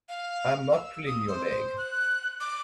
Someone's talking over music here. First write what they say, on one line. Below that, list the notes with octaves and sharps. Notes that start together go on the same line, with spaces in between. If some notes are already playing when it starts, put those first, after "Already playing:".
I am not pulling your leg.
F5
E6
D#6
C5
F#6
D6